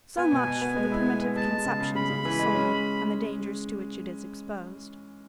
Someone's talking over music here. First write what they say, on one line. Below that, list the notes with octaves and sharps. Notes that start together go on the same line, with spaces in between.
SO much for the primitive conceptions of the soul and the dangers to which it is exposed.
B3 G#5
B2
B2
B3
G#3
E4
B3
B3
G#3 A5
G#3
C#3
C#3
C#3 B5
C#3
E3
G#3
C#4